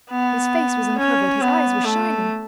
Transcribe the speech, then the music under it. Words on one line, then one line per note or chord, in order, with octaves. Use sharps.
His face was uncovered, his eyes were shining.
B3
C#4
B3
A3